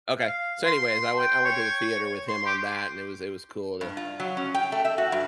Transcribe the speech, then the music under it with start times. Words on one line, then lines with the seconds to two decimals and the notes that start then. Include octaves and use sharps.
okay. So, anyways, I went I went to the theater with him on that, and it was it was cool to
0.20 F5
0.65 C6
1.18 G5
1.45 C#5
2.28 C6
2.46 G4
3.81 G2
3.97 F4
4.20 F#3
4.37 C#4
4.54 G5
4.72 A3
4.85 E5
4.98 F#4
5.12 G2